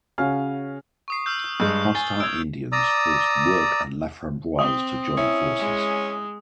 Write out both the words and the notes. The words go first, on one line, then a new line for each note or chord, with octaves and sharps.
Hostile Indians forced Work and Laframboise to join forces.
C#3 C#4 F#4 F5 G#5 F6
C#6 D#6 C7
E6 F6 G6
G2 G#3 E6 G6
G#5 A6 C7 G7
E6 G#6 D7 F7
D5 A#5 D#6 E6
C4 D#6
C#4 E4
G#3